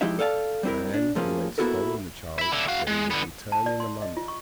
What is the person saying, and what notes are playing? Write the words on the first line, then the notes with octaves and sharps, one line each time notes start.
The man who had stolen the child said he would return in a month.
F3 G#3 D#4 E4 G4 E5
A4 D5 F5 G#5 A5
G3 C4 E4 A#4
D4
A2 F3 A#3 C#4 G#4
A#3 B3 E4 F#4 A4 A#4
E5 B5
D3 E4
F#4 F5
G#3
D3 B3
A5
D5
C6
D#5
F4
C#6